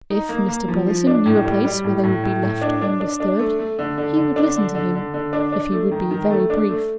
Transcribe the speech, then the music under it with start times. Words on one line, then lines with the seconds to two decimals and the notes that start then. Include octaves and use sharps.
If Mr. Brotherson knew a place where they would be left undisturbed, he would listen to him if he would be very brief.
0.10 D#4
0.29 A#3
0.48 A#3
0.68 F3
0.88 F3
1.07 D4
1.26 A2
1.45 G3
1.65 G3
1.84 A2
2.04 A2
2.24 A2
2.43 A2
2.62 D4
2.81 D4
3.01 D4
3.20 D4
3.39 A3
3.59 A3
3.79 D3
3.98 D3
4.17 D3
4.36 D4
4.56 D3
4.75 D3
4.95 D3
5.14 D3
5.33 D4
5.52 D4
5.72 A3
5.91 D#3
6.11 D#3
6.31 A3
6.50 D4
6.69 A3